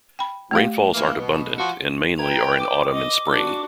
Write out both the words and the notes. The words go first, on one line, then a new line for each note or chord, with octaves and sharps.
Rainfalls aren't abundant and mainly are in autumn and spring.
G5 B5
A3 G4 F5
E3 A#3
B2
F3 F#4
B4 G5 A#5 G#6
D6
D#5
D4 F#4